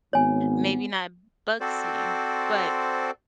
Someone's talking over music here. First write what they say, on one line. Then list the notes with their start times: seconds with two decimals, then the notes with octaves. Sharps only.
maybe not bug sitting, but
0.13 G#1 B3 C#5 G#5
1.60 C4 F#4 A4 C5 D5